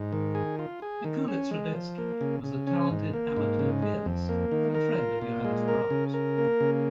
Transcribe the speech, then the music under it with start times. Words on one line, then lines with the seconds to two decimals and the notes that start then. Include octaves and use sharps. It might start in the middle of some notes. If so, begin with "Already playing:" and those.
Mikulicz-Radecki was a talented amateur pianist and a friend of Johannes Brahms.
Already playing: G#2
0.12 D#3
0.35 G#4
0.59 F4
0.82 G#4
1.04 D#3
1.28 C#4
1.51 G#3
1.74 F3
1.98 A#3
2.21 C#3
2.44 C#3
2.67 C#4
2.90 G#2
3.13 A#3
3.36 G#2
3.59 C#3
3.82 G#3
4.06 F2
4.29 A#3
4.51 D#3
4.75 A#4
4.98 F4
5.21 A#2
5.44 G#3
5.68 A#4
5.90 C#3
6.14 A#4
6.38 A#3
6.60 C#3